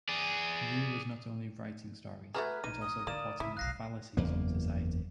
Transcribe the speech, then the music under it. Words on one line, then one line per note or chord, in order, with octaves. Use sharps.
Ye was not only writing stories, but also reporting the fallacies in society.
G#4 D5
A3 F#4 G#4 B4 A#5 F6 G#6
A#1 D#4 D#7
D#6
D3 A#3 D5 D#6 E7
C#3 E4 E5
F1 B1 F5 F#6 A#6 C7
F#1 E2 A#3